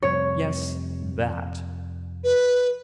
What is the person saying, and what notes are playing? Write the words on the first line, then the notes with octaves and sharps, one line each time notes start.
Yes, that.
F2 C3 G3 C#5
B4